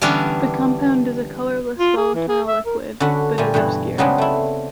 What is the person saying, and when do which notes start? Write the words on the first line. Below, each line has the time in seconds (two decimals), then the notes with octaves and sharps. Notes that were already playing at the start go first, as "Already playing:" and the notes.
The compound is a colourless volatile liquid, but is obscure.
0.02 D3 E3 G3 B3 C#4 D4
1.79 F4
1.97 G#4
2.15 E3
2.28 G#4
2.47 E5
2.66 A#4
3.00 D3 C#4 D4 F#4 B4
3.38 A#2 G3 A3 G#5
3.54 G2 B2 E3
3.98 C#3 F#3 G#3 B3 C4 D4
4.18 A3 E4